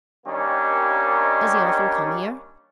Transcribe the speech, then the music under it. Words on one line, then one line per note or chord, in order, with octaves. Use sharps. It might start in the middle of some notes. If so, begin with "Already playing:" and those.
"Does he often come here?"
D#2 D#3 G3 A#3 C#4 D4